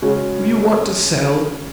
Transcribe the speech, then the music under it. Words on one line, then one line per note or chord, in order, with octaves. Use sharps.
"Do you want to sell?"
C#3 G#3 C#4 F#4